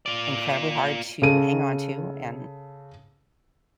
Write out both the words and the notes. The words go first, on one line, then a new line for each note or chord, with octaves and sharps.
incredibly hard to hang on to, and
F4 D5
C#3 A4 D#7